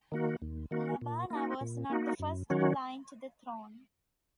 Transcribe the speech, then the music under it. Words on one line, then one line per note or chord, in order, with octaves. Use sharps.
Labarna was not the first in line to the throne.
D#3 A#3 F#4
D#2
D#3 A#3 F#4
A#2
A#3 D#4 F#4
A#2
A#3 D#4 F#4
F#2
D#3 F#3 C#4 F#4